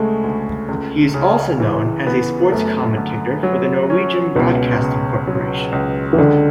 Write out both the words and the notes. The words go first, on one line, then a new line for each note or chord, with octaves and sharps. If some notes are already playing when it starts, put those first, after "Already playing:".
He is also known as a sports commentator for the Norwegian Broadcasting Corporation.
Already playing: D2 C#3 G#3 A3
D2
C#2
C#3
E3
B3
F#2 A3
D3
F#3
C#4
C#2 B2
C#3
F#3
C#2
E3
C#2 D3